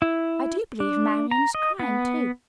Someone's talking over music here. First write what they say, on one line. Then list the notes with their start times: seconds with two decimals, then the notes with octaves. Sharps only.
I do believe Marian is crying, too.
0.02 E4
0.80 D4
1.31 A#5
1.55 D#5
1.80 B3